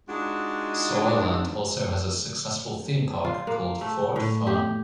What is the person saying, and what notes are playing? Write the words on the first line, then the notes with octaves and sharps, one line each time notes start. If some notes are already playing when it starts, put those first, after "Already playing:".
Sauerland also has a successful theme park called Fort Fun.
G#3 D4 D#4 F4 F#4
F4
A#3
A3
A2
G4